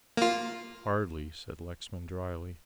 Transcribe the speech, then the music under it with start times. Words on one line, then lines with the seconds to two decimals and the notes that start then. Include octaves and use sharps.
"Hardly," said Lexman, drily.
0.17 A#3 F4